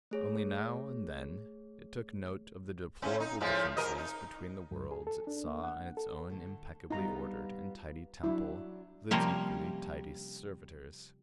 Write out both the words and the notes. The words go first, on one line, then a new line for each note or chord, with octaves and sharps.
Only now and then it took note of the deplorable differences between the worlds it saw and its own impeccably ordered and tidy temple with its equally tidy servitors.
A3 G#4 C#5
A2 C#4
D#4
A2 F3 G#3
G#2 A#4 D#5
D#4
F#2
G#4
A4
D4
A#3
F#5
A4
D3 A3
G3 B3 D#4 F4 A#5
F#3 D4 E4
C3 F3 G3 A#3 C#4